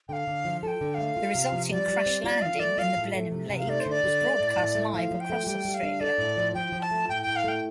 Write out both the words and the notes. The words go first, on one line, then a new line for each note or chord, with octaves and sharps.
The resulting crash landing in the Blenheim lake was broadcast live across Australia.
D3 F5 G5
D3
F3
A4 G5 A5
D3
G5
A3 F5
F4
C3
F3
G3 D5
G3
C4
F4 D5
F3 F5
A3 D5
F4 F5
A2
A3
C3
C3
F5
A3 D5
C5
D3 D5
D3
A3
A2
A2
A3
F3 F5
F3
G5
A3
G3 G5
G3
F5
D4
A4 D5
A2
F3
F3 G5
F3
A5
A3
A2 G5
A2 G5
F5
A3 G5